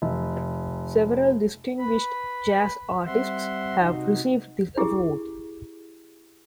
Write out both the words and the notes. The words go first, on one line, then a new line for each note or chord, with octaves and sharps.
Several distinguished jazz artists have received this award.
F1
B4 B5
G3 C4 E5 F#5 C6
C3 D#4 F#4
E4 G4 G#4